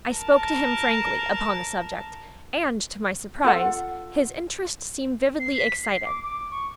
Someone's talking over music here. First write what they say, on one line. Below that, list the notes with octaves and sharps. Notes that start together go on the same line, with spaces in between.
I spoke to him frankly upon the subject; and, to my surprise, his interest seemed vividly excited.
A#4 A5
F4 A4 F#5
C7
B6
C7
D6
D6
C#6